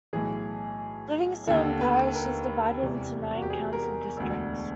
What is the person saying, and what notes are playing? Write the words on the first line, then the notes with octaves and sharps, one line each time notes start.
Livingston Parish is divided into nine council districts.
B1 A2 E3 G#4
D#2 D3 A4
B4
A#4
E1 E2 C3 E3
F#4
G4
G#4
A#4
E1 D2 D3